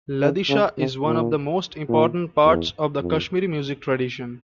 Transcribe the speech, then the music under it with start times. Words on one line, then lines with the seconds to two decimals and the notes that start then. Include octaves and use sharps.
Ladishah is one of the most important parts of the Kashmiri music tradition.
0.21 C#3
0.49 C#3
0.77 C3
1.05 A#2
1.89 A#2
2.45 E2
3.01 F2